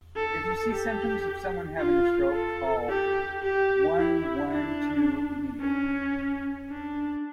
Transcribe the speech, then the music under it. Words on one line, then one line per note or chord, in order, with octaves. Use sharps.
If you see symptoms of someone having a stroke call one-one-two immediately.
A4
G4
F4
A4
G4
G4
E4
D4
C#4
D4